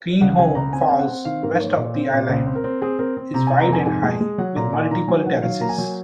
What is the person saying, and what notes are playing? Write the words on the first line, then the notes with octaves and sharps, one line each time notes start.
Kreenholm Falls, west of the island, is wide and high with multiple terraces.
C#2 F#5
C#2 G#5
C#2 A#5
C4 G#5
D#5
C4 F5
F#5
C4
D#3 F5
G#2 A#4
A#3 C#5
A#2
C4
A#2
C#2 C5
C4
A#4
C4
C4 G#4
C4 A#4
C4
C3 A#5
C3 G#5
A#5
F2 G#5
G#2 G#5
G#3
G#3
F#3 F#5
A#2 A#5
A#2 G#5
D#3 A#5
F#3 G#5
D#3 F#5
F#3 F5
A#3 A#5
G#5
F#3